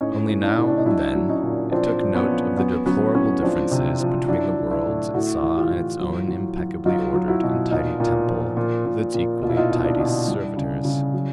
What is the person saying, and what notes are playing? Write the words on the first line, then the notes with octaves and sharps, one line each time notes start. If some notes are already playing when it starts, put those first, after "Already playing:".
Only now and then it took note of the deplorable differences between the worlds it saw and its own impeccably ordered and tidy temple with its equally tidy servitors.
A2 C#4 D#4
A2
D4 E4
A2
D4
D#4
F#3 D4 E4
F#3
C#4 D#4
A#2
F3 C4 D4
F3
B3 C#4
F3
F#3 B3 C#4
F#3 B3 C#4
A2 B3 C#4
F3 C4 D4
C3
F3
F#3 D4 E4
F#3
D4 E4
A2
A2 E4 F#4
E3
F4 G4
A2
F#3
F#3
F#3
F#3 D#4 F4
F#3
E4 F#4
B2
A#2 D#4 F4
A#2
F3
A#2
A#2
A#2
B2 F4
E4
D#4 F4
B2
D4 E4
B2
G3
C#3
C#3
F#3